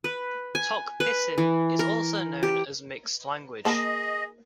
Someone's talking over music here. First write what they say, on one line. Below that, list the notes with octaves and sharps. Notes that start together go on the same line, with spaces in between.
Tok Pisin is also known as a "mixed" language.
B4
G#5
B4
E3
A#4
G4
A#3 G#4 D#5 A5 B5